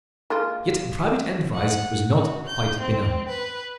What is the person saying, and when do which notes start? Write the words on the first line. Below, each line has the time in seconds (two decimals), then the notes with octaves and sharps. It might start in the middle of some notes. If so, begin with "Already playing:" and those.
Yet private enterprise was not quite benumbed.
0.30 G#3 A#3 F4
1.53 F#5
2.15 F#4
2.46 G6
2.80 C4
3.28 B4